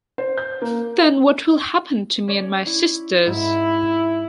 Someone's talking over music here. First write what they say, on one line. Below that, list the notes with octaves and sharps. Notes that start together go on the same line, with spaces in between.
Then what will happen to me and my sisters?
C5
G6
A#3
C#4 C#5 D5
E4
G#2 E4